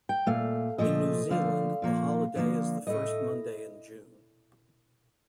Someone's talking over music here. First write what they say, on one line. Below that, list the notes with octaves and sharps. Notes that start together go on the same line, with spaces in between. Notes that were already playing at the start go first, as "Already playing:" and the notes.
In New Zealand, the holiday is the first Monday in June.
G5
A#2 A3 F5
A#2 F3 A3 D#5
D3 F3 A3 F5
A#2 F3 A#3
D3 F3 A#3
A2 A3 D#5